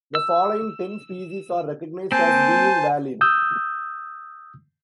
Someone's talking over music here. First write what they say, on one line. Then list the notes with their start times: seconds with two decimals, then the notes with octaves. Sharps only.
The following ten species are recognized as being valid.
0.15 E6
2.12 A#3 C4 C5 G#5 A5 G6
3.21 D#6 E6 G6